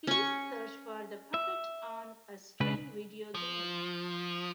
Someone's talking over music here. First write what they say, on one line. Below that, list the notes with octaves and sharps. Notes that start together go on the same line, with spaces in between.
Please search for the Puppet on a String video game.
C#4 C#6
E5
C#2 C#3 B4
F3